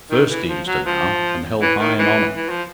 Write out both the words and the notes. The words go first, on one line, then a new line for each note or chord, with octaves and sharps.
First Deemster now, and held high in honour!
D#3
E3
F3
F#3
F3
E3
D#3
E3
E3
F3